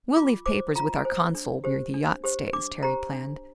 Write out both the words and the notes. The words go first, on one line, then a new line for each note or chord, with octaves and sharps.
"We'll leave papers with our consul where the yacht stays," Terry planned.
F4 D6
C5 D6
F4 A#5
G#5
C5
D4
G4 C5
D4
G4 C5
D4 D6
G4 C5 A#5
D4